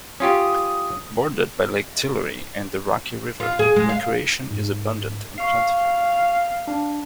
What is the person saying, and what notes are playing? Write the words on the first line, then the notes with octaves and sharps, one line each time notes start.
Bordered by Lake Tillery and the Rocky River, recreation is abundant and plentiful.
C#4 F4 G4 D#6
F4
G#4
G#3
F5
G#2
F5 C#6 C7
D4